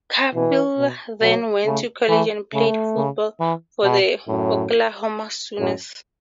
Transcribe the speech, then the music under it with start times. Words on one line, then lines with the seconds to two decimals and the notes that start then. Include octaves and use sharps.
Cavil then went to college and played football for the Oklahoma Sooners.
0.34 B2 E3
0.78 B2
1.21 B2 F#3
1.65 C#3 A3
2.09 E3 A3
2.53 C#3 A3
2.97 C#3
3.40 E3
3.84 B2
4.28 F#2 A2
5.59 F#2 A2